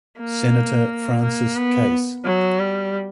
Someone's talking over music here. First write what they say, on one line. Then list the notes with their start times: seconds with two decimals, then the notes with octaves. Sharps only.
Senator Francis Case.
0.19 A#3
1.22 A#3
1.57 B3
2.24 F#3
2.59 G3